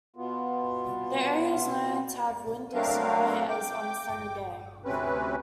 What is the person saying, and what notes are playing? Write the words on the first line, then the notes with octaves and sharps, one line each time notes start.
The area is known to have wind as high as on a sunny day.
B2 B3 F4
F#3 A3 C4 D4 A#4 F5
G5 D6
D2 C3 C4 C#4 B4